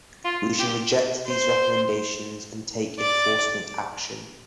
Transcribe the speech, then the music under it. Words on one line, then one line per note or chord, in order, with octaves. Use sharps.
We should reject these recommendations and take enforcement action.
F4
G4
C5
D5